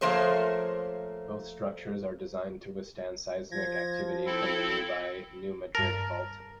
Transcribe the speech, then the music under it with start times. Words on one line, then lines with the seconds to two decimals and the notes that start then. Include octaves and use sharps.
Both structures are designed to withstand seismic activity from the nearby New Madrid Fault.
0.01 F3 A3 A#3 C5 C#5
3.51 F3 G#6 A#6
4.26 C4 E4 A4
5.75 G2 A#4 A5